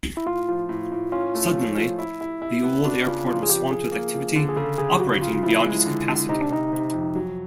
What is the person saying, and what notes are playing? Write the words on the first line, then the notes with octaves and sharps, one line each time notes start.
Suddenly, the old airport was swamped with activity, operating beyond its capacity.
E4
A2 F4
F3
A2
A2
C#4 F4
A3
F3
F3
E4
E4
E4
B3
D4 F#4
C#3 F4
F3 F4
G#4
F3 G4
F3 G#4
A#3
F3
D3
G#4
C#3 A4
C#3 G#4
G4
F#3 F#4
C#3 F4
F3 E4
G#3
D3
D3
C3 D#4
D4
C3 D#4
C3
F2
F#3